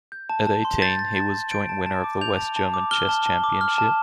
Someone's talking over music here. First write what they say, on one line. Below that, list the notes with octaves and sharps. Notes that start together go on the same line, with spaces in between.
At eighteen, he was joint winner of the West German Chess Championship.
G6
A5
A5
C6
G6 A6
A5 A6
A5 A6
C6
G6 D7
A5
A5
D6
G6 F7
A5
A5
D6
F6 G7
A5
A5
D6
F6
A5